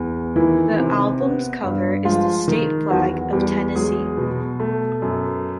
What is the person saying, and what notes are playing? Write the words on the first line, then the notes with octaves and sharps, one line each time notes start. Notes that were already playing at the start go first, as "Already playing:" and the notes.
The album's cover is the state flag of Tennessee.
Already playing: E2
D#3 E3 E4
C3
B3
G2
F3 G#3 F4
D#3
E2 F#3 F#4
E2 G3 G4
F#3 G#3 G#4
B2
A3
F#2